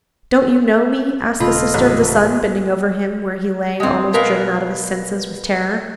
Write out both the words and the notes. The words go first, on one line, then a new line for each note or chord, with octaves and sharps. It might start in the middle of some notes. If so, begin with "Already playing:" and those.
'Don't you know me?' asked the Sister of the Sun, bending over him where he lay, almost driven out of his senses with terror.
D#1 C#3 A3 F4 A4 D#5 B5
A1
C3
G#3 C4
B2 G#3 A#4 B4 F5